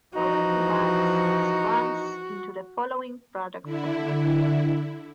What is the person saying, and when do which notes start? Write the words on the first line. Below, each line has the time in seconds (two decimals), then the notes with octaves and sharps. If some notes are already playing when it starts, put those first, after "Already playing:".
Dorel divides its brands into the following product segments.
0.16 E3 F3 D#4 F#4
3.63 D3 E4